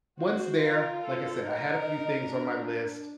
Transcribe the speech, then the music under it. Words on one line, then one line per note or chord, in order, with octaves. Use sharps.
once there- like I said, I had a few things on my list-
F#4 C5
F4 A#4
A4
D#4 A#4
D4